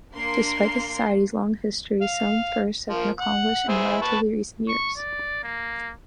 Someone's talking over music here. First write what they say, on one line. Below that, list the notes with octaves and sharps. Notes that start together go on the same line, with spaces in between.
Despite the Society's long history, some firsts have been accomplished in relatively recent years.
A#3 D4 A#4 C6
F5
F3 A#3
F#5
E4 G#4 C5
B4 A5 C#6
C#6
D5
A#3